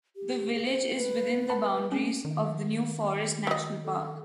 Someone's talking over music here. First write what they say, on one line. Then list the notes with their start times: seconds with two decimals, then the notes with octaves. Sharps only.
The village is within the boundaries of the New Forest National Park.
0.16 G4
0.53 G#4
0.65 C5
0.96 B4
1.50 F#5 A5 B5
1.92 C4 C#4
2.25 D#3
3.47 F#3 D#5
3.85 A4